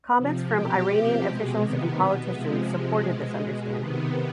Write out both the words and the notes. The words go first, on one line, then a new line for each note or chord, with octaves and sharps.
Comments from Iranian officials and politicians supported this understanding.
C3 F3
B2 G4
C3 F3
B2 G#3
C3 D#3 B3
B2
C3 F3 G#3
C3 F3
B2 G#3
B2 G#3
C3 D#3 B3